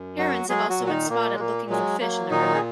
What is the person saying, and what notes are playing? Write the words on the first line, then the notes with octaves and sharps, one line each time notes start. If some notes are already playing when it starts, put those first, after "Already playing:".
Herons have also been spotted looking for fish in the river.
Already playing: F#2
F#3 F#4
F#3 G#3 G#4
F#3 F#4
A#2
F#4
D#3 D#4
A#2 A#3
G#3
A#2 A#3
F#3 G#3
F#3 A#3
A#2 D#3 D#4
G#4